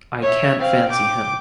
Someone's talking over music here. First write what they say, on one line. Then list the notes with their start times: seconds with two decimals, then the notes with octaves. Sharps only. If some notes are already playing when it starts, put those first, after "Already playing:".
I can’t fancy him.
0.23 C#5 E5
0.59 C4 F5
0.90 G5 D6